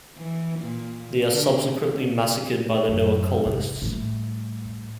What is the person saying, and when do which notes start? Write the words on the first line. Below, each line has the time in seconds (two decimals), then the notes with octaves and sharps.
They are subsequently massacred by the Noah colonists.
0.17 E3
0.59 A#2
1.31 D3
2.89 F#2
3.46 F1
3.82 A2 G3